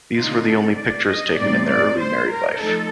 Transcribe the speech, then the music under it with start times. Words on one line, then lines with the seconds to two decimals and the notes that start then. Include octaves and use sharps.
These were the only pictures taken in their early married life.
0.15 D3 A3 C4 D#4 F4
0.45 A4
0.76 D5
1.07 D#5
1.37 A2 G3 C4 D#4 D5
1.67 D5
1.98 C5
2.30 A#4
2.60 F3 A3 D#4 A4